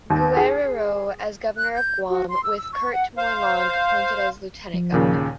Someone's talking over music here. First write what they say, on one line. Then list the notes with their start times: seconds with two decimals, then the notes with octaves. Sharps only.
Guerrero as governor of Guam, with Kurt Moylan appointed as lieutenant governor.
0.10 D#2
0.37 G#4
1.56 F#6
1.75 G6
2.10 F#4
2.28 C6
2.44 E6
2.56 E6
2.73 C#6
2.92 F#5
3.18 C5 F5
4.74 F3
4.92 D#2 A#2 C#3